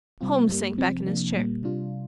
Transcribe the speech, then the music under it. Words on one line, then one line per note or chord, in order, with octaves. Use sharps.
Holmes sank back in his chair.
C3 G3 C4 F4
G2 G3 A#3
C3 F3 C4
C3 F3 A#3 D4
A#2 G3 A#3
C3 G3 D4 F4